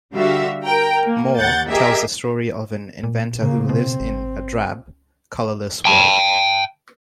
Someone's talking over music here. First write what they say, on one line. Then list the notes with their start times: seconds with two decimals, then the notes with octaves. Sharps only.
"More" tells the story of an inventor who lives in a drab, colorless world.
0.14 D3 G3 F#4 E5 F5
0.63 A#4 G5 A#5
1.05 A#3
1.38 D#2 F#5 G6 A6
1.71 G4 G#4 A#4 D#5 E5
3.03 A#2
3.40 C#3 A#3
3.69 B2 C4
4.00 G#1
5.85 G5 A5